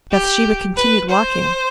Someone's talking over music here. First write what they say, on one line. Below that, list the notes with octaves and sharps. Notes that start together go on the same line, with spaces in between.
Bathsheba continued walking.
G4
B4
C5